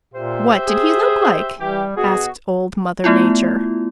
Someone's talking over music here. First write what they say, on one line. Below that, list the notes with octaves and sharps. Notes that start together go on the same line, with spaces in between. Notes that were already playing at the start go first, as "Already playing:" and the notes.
"What did he look like?" asked Old Mother Nature.
A#2 G4 C5 E5
G#4
E3 G3 G4
B2 F#4 G#4
A3 B3 E4 F4